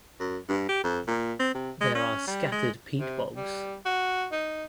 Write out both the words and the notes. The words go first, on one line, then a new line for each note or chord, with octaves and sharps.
There are scattered peat bogs.
F#2
G2
G4
F2
A#2
C4
C3
G#3
C#4
G3
G#3
C3
G3
F#4
D#4